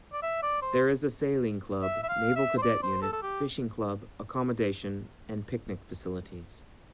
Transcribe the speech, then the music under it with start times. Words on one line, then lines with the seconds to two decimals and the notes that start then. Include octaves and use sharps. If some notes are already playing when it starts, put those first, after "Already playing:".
There is a sailing club, naval cadet unit, fishing club, accommodation, and picnic facilities.
0.13 D5
0.22 E5
0.43 D5
0.62 C5
1.82 E5
2.03 E5
2.09 F5
2.36 E5
2.58 C5
2.62 D5
2.82 C5
3.02 A4
3.12 A4
3.22 G4